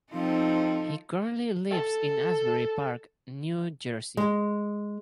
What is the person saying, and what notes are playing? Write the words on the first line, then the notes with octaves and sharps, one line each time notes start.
He currently lives in Asbury Park, New Jersey.
F3 C4 D#4 A4
A4
G#3